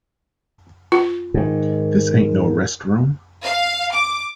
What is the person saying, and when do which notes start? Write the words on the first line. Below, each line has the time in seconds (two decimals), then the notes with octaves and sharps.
This ain't no rest-room.
0.92 F4
1.34 G#2 D#3
3.44 F5
3.93 D6